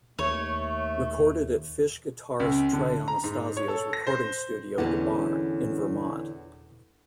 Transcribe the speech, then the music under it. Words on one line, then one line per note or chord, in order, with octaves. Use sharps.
Recorded at Phish guitarist Trey Anastasio's recording studio The Barn, in Vermont.
D#2 A3 C#5
C#2
D3
A#5
G#2
C#5
A4
A#6
C5
E2 D3 E3 C#4